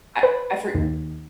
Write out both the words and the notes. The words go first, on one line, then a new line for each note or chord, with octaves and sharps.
I I for
B4
D#2